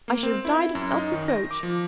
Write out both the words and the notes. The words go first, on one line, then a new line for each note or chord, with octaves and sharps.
I should have died of self-reproach.
A#3
C4
E4
F#2
D#4
D#3
A#6
D6
F3